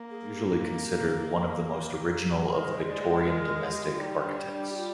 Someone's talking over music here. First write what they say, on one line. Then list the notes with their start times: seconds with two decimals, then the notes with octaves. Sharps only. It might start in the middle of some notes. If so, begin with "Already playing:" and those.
He is usually considered one of the most original of the Victorian domestic architects.
Already playing: A#3
0.10 G#4
0.25 G#4
0.34 G4
0.59 F4
0.62 D#4
0.83 G4
2.52 G#3 A#4
2.71 C5
2.88 D5
3.07 C5
3.26 A#4
3.71 G4
3.85 F4
3.98 G3 D#4
4.22 D4
4.46 D4
4.71 G4
4.76 F4